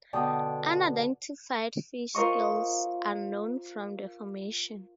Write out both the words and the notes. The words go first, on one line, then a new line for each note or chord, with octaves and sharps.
Unidentified fish scales are known from the formation.
B2 D3 G5 D#6
F4 A#4 C5 D#5 C#6